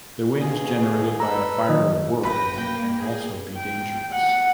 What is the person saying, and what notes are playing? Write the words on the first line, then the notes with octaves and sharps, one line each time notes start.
The winds generated by a fire whirl can also be dangerous.
D#2 B2 G#4
A4 B4 A#5 E6
D#3 F#3 D#5
G#1 F#2 B4 G5 B5 A#6
A#3 B4 G5
G#4
G5
F#5